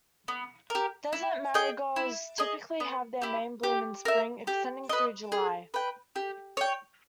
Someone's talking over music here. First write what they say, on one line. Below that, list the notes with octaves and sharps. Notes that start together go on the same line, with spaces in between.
Desert marigolds typically have their main bloom in the spring, extending through July.
B3
G4 A#4
E4
G#4 D#5 G5
E4
G#4 D#5
B3
E4 G4
G4
A#4 E5
G4
B4 D#5
G#4
B4 G5
G4
C#5 G5